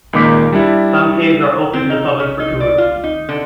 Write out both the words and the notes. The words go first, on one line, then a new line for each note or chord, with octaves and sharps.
Some caves are open to the public for tours.
C#2 A#2 D#3 A#3 D6 B6
G3 D4 E4
C4
D#4
C#4
D#4
D5
F4
D#4
D3